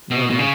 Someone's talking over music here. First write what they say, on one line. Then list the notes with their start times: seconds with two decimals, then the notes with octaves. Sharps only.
Oh, nice.
0.11 B2
0.30 B2
0.39 C#3